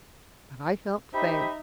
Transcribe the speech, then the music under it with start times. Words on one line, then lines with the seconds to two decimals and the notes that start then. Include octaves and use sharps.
But I felt safe.
1.13 D#4 G4 C5 E5 B5